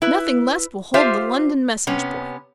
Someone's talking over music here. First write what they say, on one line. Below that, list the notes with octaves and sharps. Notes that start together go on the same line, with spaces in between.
Nothing less will hold the London message-boy.
E4 B4
F4 G4 C5 E5 F5
C3 B3 C#4